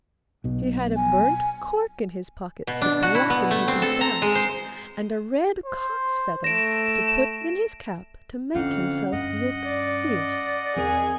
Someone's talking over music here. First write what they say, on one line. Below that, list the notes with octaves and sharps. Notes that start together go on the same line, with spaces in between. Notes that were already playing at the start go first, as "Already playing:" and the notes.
He had a burnt cork in his pocket to blacken his moustache, and a red cock's feather to put in his cap to make himself look fierce.
B1 B2
G#5
B2
D4
F#4
E4
B3
A3
C4
A4
A#5
G#3
C5
C5
A3 A#6 D7 E7
F2 D3 C#4 F5 F#5
G2 D#5 F#5
D5
E2 C4 G#4 A#4